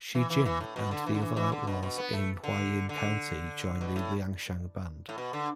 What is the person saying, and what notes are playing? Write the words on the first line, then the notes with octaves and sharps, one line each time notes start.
Shi Jin and the other outlaws in Huayin County join the Liangshan band.
E3
E3
E3
A2
B2
D3
E3
D3
E3
E3
D3
B2
B2
B3
A3
D3
D3
B2
A2
A2
B2
D3